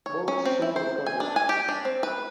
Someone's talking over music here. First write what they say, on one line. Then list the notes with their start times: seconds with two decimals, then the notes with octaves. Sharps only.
Both soon recovered.
0.06 C#5
0.28 C#4
0.45 C4
0.62 E4
0.76 C5
1.06 G#5
1.20 D4
1.36 G#5
1.49 G4
1.69 D4
1.85 C4
2.03 B4